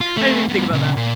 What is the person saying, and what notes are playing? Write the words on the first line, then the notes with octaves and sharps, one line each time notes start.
didn't even think about that.
F4
A3 C4
G2 B2
A#2 C#3
A#2